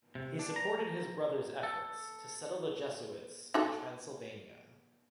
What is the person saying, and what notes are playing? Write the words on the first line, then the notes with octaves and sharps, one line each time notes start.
He supported his brother's efforts to settle the Jesuits in Transylvania.
C3
D4
A#5
A4
D#4 F#4 A4